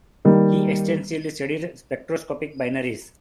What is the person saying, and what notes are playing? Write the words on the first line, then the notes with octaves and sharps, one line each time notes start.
He extensively studied spectroscopic binaries.
D#3 G3 A#3